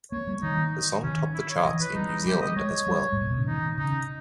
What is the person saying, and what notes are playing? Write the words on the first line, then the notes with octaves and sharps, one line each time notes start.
The song topped the charts in New Zealand as well.
A#3 C#5
G3
D#3 D#4
D#3 C#4
E4
C#5
E3 D#5
B4
G3 D#4
G3 G4
D#5
G#3 C#5
G3
G#2
A#2
B2
C#3
D#3 D#4
C#3 D#4